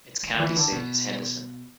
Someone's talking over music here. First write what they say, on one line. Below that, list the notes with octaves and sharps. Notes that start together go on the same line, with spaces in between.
Its county seat is Henderson.
F#3
D3
E3
D3
B2